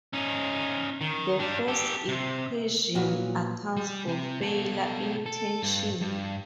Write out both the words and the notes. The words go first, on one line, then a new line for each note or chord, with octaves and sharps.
The first equation accounts for failure in tension.
C#4 D#4
D#3
G3 D4
G4 A4
C3
A#2 E3 F#3 B3 F4 F#4
G3
C3
B2 A4
A4
G2
G2